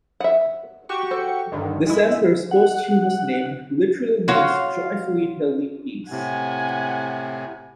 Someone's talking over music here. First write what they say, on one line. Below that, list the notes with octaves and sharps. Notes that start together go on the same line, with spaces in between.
This emperor's posthumous name literally means "joyfully healthy peace".
E5 F#5
F#4 G4 C#6
A4 C5
G2 D3 D#3
G#3 E4
F#5
F4 F#4 C#5
A2 C3 F#5 G#5